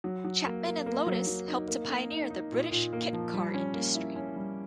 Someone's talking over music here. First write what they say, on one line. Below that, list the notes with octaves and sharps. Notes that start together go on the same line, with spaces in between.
Chapman and Lotus helped to pioneer the British kit car industry.
F#3
F#3
A#3
A#3
A#3
F#3
F#3
D#4
A#3
A#3
D#4
D#4
A#2
A#2
A#3
F3
G3
C#4
A#3
E4
C#4
G3